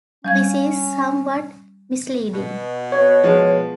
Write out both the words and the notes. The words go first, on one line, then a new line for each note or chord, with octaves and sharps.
This is somewhat misleading.
G3 C#4 F5 G#6
B2
B3 C#5
F3 G#3